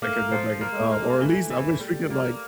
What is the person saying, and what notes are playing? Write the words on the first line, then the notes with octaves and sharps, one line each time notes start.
I could go back in time, or at least I wish we could, like
A3 A#3
F3
A#3
G#3
A3
A#3
G#3
E3 A3
E3
G3 A3
A#3